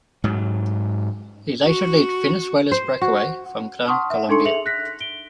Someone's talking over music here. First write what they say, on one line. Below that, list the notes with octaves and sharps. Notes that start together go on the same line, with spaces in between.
He later led Venezuela's breakaway from Gran Colombia.
G#2 F#3
F#4
C5
F#4
F#5 A5 C6 C#6 D#6 F6
E5 F#5
D4 D#4 A4 C6 C#6 C#7
G#4 E5 C#7 F7 F#7
F#6 A#6 B6
D7 G7